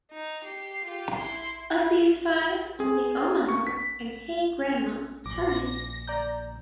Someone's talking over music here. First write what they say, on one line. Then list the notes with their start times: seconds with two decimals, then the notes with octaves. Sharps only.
Of these five, only "Omaha" and "Hey Grandma" charted.
0.11 D#4
0.44 G4 C7
0.84 F4 G4
1.14 E4 C6
2.80 G#4
3.49 C#6
3.67 B6
5.26 A#1 D6 A#6
6.08 D5 A#5 G6